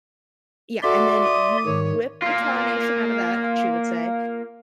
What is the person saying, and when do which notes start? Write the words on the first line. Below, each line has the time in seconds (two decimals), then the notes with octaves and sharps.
yeah, and then you "whip the tarnation outta that," she would say,
0.83 F#4 A4 D5 E5 C6 D6
1.24 D#6
1.66 G#2 D#3 C#5
2.22 A#3 F4